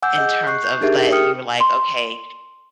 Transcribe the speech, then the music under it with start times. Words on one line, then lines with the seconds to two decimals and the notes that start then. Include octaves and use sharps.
in terms of that you were like, "Okay,
0.02 F#5 G#5 D6 E6 G6
0.15 G#4 D#5 G6
0.47 C#6 F#6 C7
0.64 G6
0.81 D4 D#4 G4 G#4 A#4 E5
1.12 G4 G#4 G5 D#6 F6 C#7
1.60 C6